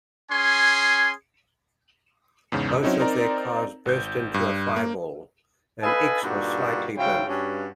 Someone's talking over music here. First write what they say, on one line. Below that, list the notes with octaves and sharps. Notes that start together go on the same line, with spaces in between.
Both of their cars burst into a fireball, and Ickx was slightly burned.
C#4 G#4 G#5 C6
E2 G#2 C#3
F#3 C4 C#4 D#4 E4
C4 D#4 A#4 D5 A#5
G#1 G6
G2
A#3
A4 B4 D#5 F5 G#5 B5
G2 A#2 D3 D4 D#4 F#4
G#2 C#3 F#3 E4 F5 G5
G2 C#4 F#4